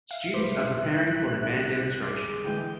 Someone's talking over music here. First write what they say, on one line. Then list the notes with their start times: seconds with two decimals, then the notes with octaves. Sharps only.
Students are preparing for their band demonstration.
0.11 E5 F5
0.34 C2 B4 C5 D6 B6
0.57 F#6
2.02 G#4 C6 D6
2.44 D3 E3 G#3 G5